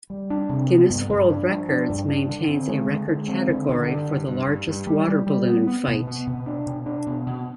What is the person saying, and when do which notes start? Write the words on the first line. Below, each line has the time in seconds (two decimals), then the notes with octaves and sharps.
Guinness World Records maintains a record category for largest water balloon fight.
0.10 G3
0.30 D4
0.49 C3
0.69 B3
0.90 G2
1.09 G2
1.30 D4
1.49 F3
1.69 D4
1.90 G2
2.09 D4
2.29 D3
2.49 C4
2.68 G#3
2.88 D3
3.08 G#3
3.28 C4
3.48 D3
3.69 D3
3.88 G2
4.08 G2
4.27 G2
4.47 G2
4.68 G2
4.87 G3
5.08 G3
5.27 G3
5.48 B3
5.67 B3
5.87 B2
6.07 B3
6.27 B2
6.46 D4
6.66 B2
6.86 D4
7.07 B2
7.26 B2